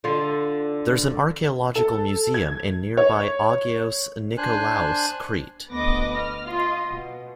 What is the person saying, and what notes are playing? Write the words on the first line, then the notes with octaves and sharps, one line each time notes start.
There's an Archaeological Museum in nearby Agios Nikolaos, Crete.
D3 F4
A4
G#6
C#5
D4 C5 G#5 F#6
D2 B3 B4 D#5 D6 A#6
F6
F4 D#5
B2